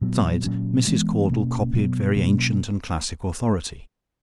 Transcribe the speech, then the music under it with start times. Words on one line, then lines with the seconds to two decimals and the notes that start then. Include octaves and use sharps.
Besides, Mrs. Caudle copied very ancient and classic authority.
0.01 A#2 F#3 B3
0.44 A#2 F#3 C#4
0.87 E3 G#3 B3
1.30 B2 A#3 C#4
1.73 B2 F#3 B3
2.16 B2 F#3 A#3 C#4